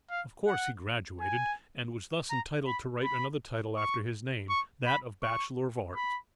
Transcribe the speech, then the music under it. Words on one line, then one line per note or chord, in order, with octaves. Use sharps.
Of course he graduated, and was thus entitled to write another title after his name--that of Bachelor of Arts.
F5
F#5
G#5
A#5
B5
B5
C#6
C#6
B5
C#6
B5